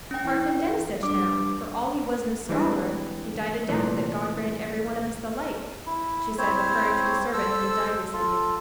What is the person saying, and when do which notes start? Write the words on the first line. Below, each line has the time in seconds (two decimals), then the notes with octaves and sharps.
"Parfen Denisitch now, for all he was no scholar, he died a death that God grant every one of us the like," she said, referring to a servant who had died recently.
0.11 C#4 G5
0.24 E3
1.03 G2 D6
2.49 E3 G3 G#3 C4 D4 E4
3.68 C2 A#2 E3 A3
5.87 E4
6.38 C4 E4 C5 C#5
7.34 A4 C5 E6
8.13 F4 A4